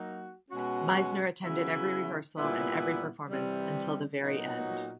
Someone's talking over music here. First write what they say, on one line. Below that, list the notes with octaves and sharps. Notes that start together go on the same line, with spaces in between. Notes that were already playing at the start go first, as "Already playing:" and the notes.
Meisner attended every rehearsal and every performance until the very end.
Already playing: F#3 A#3 D#4 F#4
B2 G#3 C#4 F#4
C#3 F#3 B3 E4
A#2 G3 B3 E4
C3 E3 G3
A#2 F#3 B3 D#4 F#4